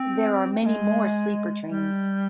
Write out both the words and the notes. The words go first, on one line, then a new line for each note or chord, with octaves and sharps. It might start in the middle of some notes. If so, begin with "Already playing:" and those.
There are many more sleeper trains.
Already playing: C4
A#3
G#3
G3